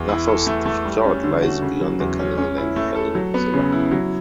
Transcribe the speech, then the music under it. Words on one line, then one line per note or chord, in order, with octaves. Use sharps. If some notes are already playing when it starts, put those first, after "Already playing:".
Nathorst Fjord lies beyond the Canning Land Peninsula.
Already playing: E2
E4
A4
A3
A3
G3
C#4
D3
F#4
C#3
F#3
E2
C#4
C#4
E4
A3
A4
F#3
B3
C#3
E4
F#3